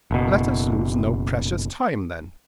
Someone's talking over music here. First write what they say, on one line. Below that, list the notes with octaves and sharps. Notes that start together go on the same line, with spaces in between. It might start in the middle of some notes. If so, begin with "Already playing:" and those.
Let us lose no precious time, then.
F#1 B2